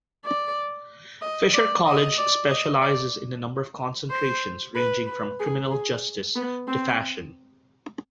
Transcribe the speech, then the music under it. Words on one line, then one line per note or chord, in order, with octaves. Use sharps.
Fisher College specializes in a number of concentrations ranging from Criminal justice to Fashion.
D5
D#5
D5
D#5
D5
D#5
D5
C5
B4
B4
G#4
G#4
B3
C4